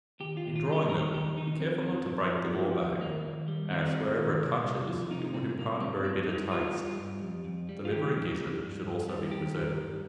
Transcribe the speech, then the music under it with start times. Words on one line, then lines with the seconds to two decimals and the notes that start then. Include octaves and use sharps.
In drawing them, be careful not to break the gall-bag, as, wherever it touches, it would impart a very bitter taste; the liver and gizzard should also be preserved.
0.20 D#2 G4
0.37 F4
0.43 D#2
0.56 F4
0.67 G3
0.72 G4
0.90 D#3 A#4
1.14 D#2 G4
1.37 D#2 D#4
1.60 F3 C4
1.84 F2
2.07 F2
2.30 F3
2.54 F3
2.77 F2
3.01 D#2 A#3
3.25 D#2
3.48 G3
3.71 D#3 C4
3.94 D#2
4.17 D#2
4.41 C2
4.65 C2
4.87 F3
5.11 C3 D#4
5.34 C2 C4
5.58 C2 A#3
5.81 G3 C4
6.04 G2 C4
6.28 G2 D#4
6.51 G3 F4
6.75 G3
6.98 G2
7.21 F2
7.44 F2
7.69 G3
7.85 F4
7.92 D#3 G4
8.15 F2
8.39 F2
8.62 G2
8.85 G2
9.09 G3
9.31 D#3 G4
9.56 G2
9.79 G2